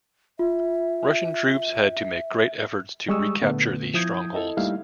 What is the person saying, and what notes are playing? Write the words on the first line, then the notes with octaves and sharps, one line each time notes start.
Russian troops had to make great efforts to recapture these strongholds.
F4 E5
G3 G#3 C#6 D#6 E6
A#2 D3 A3 B3
F3 E4 D#6 G6 G#6
E4 A4 D#5
G3 A3 A#3 D#4 E4 F5